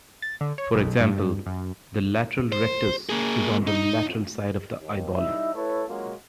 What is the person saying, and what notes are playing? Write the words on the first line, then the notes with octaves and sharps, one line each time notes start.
For example, the lateral rectus is on the lateral side of the eyeball.
A6
D3
C#5
B1
G2
F#2
C5
A#3 G#4
D#4
D#2
G3 D#4 E4 E5
A3 E4 A4 B4 C#5
F#3 G#3 A#3 C#4 F4 F#4